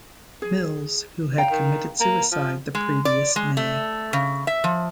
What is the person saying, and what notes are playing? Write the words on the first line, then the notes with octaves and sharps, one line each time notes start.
Mills, who had committed suicide the previous May.
G#4
F5 G5 A#5
D#3
A#3
F3
G#3
D5
G#3
A3
C#3
E5
F3